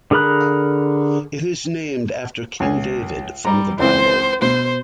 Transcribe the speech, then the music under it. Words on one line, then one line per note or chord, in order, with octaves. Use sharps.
It is named after King David from the Bible.
D3 G#4 A#4 B5 F#6
C#2 G#5
G3 A#5
C#2 E3 C4 C5
B2 C5